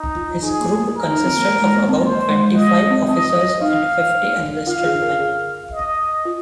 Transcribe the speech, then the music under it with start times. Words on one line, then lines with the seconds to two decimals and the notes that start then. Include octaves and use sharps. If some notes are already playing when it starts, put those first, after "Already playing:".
His group consisted of about twenty-five officers and fifty enlisted men.
Already playing: D#4
0.16 F4
0.42 D#4 G#4
0.60 A#3
0.78 A#3
0.96 A#4
1.12 D#4
1.24 C4
1.36 A#3
1.48 G#3
1.62 G#3
1.75 A#3
1.88 C4
2.02 A#3 C5
2.29 G#3
2.55 G#3 D#5
2.90 C4
3.08 C4 D#5
3.61 D#4 F5
4.67 F4 F5
4.85 G#4
5.02 A#4
5.20 G#4
5.73 D#5
6.25 F4